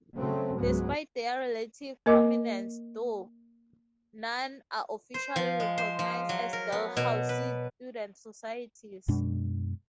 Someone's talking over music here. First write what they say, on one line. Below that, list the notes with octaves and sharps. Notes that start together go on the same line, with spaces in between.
Despite their relative prominence, though, none are officially recognized as Dalhousie student societies.
C#3 F#3 A3 C4
C#2 G#2 F#3 G#3 B3
A#3 A#4 D#5 D6
C5
F3
G#3
C5
F3
F#3
A#4
B3
B2
B4
F#2 B2 G#3 D4